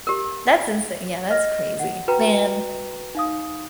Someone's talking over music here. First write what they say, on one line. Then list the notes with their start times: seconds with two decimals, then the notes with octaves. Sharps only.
That's insa yeah, that's crazy, man.
0.07 G4 A#4
1.29 D#5 F6 A#6
1.79 F#5
2.08 F#4 B4 G5 A#5
3.15 D#4 F5 D#6